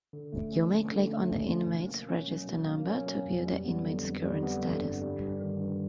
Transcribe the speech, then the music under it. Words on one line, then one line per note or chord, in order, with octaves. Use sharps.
You may click on the inmate's Register Number to view the inmate's current status.
D3
A3
C#4
F3
D3
A3
C#4
F3
B2
A#3
C#4
F#3
B2
A#3
C#4
F#3
F2
G3
B3
D3
F2
G3
B3
D3
G2
G3
G2
D#3
G2